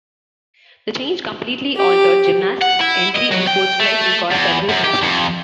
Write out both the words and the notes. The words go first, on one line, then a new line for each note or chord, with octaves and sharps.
The change completely altered gymnasts' entry and postflight and caused several crashes.
G4
F#5
E4
D#5
F#3
G5
A3
E2
F#2
G4
F2